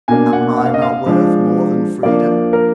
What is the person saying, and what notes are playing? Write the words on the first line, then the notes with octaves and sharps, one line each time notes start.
Am I not worth more than freedom?
B2 A#3 D4 G#5
F#5
F#5
F5
D#5
F5
F3 G#3 D4
F3 A#3 D4 D5
A#4